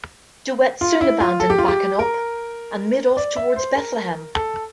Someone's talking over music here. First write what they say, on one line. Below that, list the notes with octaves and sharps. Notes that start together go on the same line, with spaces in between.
De Wet soon abandoned Bakenkop and made off towards Bethlehem.
F4
E4
F4
A4
G4
F4
G4
A#4
D5
E5
C5
A#4
A4